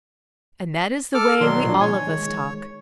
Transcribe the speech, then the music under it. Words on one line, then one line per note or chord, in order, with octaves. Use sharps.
And that is the way we all of us talk.
A4 D6 F6
B2 D#3 F#3 D5 C6
A#2 F3 D4
C#5 G#5
D#3 G#3